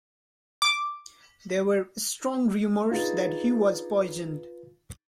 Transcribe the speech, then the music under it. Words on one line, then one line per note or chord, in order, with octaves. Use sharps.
There were strong rumors that he was poisoned.
D6
D4 D#4 F4 G#4 B4 A6